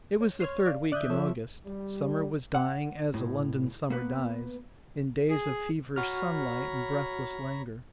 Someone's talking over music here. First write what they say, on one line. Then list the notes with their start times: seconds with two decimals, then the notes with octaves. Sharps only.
It was the third week in August; summer was dying, as a London summer dies, in days of feverish sunlight and breathless languor.
0.21 C#5
0.40 C#5 C6 F6 G#6
0.66 D5 F5
0.92 A1 D3 D5 E5 D#6 F#6 G6
1.10 F3 A4 C#5
1.66 G3
2.55 F#5
3.14 C2 A2
3.90 A#3 B3 B4
5.30 G#4
5.96 F#4 C#5 A#5 B5 F6